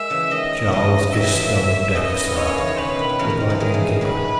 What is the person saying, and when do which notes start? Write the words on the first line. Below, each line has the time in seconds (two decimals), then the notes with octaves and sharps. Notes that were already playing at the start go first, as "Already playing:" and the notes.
"Charles is stone deaf, sir," replied the innkeeper.
Already playing: G#3 A#3 E5
0.10 C#3 E3
0.31 D#3 D#5
0.72 C#3 E3 D#5
1.13 D#3 F#3 E5
1.27 E3 G#3
1.41 F#3 A#3
1.95 A#3 C#4 D#5
2.09 B3 D#4
2.23 C#4 E4
2.36 B3 D#4 C#5
2.47 A#3 C#4
2.58 C#3 E3
2.67 D#3
2.78 C#3 B4
2.88 B2
2.99 D#3
3.09 D#3
3.19 C#3 E3 A#4
3.30 D#3
3.40 D#3
3.50 C#3 E3
3.60 D#3 F#3 G#4
3.74 C#3 E3
3.88 D#3
4.01 D#3 F#3 B4